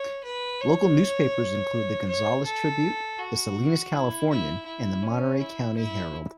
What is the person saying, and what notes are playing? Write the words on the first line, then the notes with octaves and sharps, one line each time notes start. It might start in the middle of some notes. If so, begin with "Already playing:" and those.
Local newspapers include the "Gonzales Tribune", the "Salinas Californian" and the "Monterey County Herald".
Already playing: C#5
B4
C#5
C#5
A4
F#4
E4
E4
E4
C#4
E4
E4